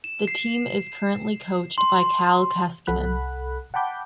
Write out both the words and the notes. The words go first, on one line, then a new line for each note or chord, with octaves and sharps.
The team is currently coached by Kalle Kaskinen.
E7
C7
C6
C2 A4 F#5 B5 F#6
F#5 G5 A5 B5 D6 G6